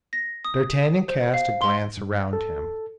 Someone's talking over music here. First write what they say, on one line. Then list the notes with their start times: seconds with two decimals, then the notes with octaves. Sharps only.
D'Artagnan cast a glance around him.
0.13 A#6
0.45 D#6
1.08 C5
1.34 F5
1.62 C6
1.97 G2
2.33 A4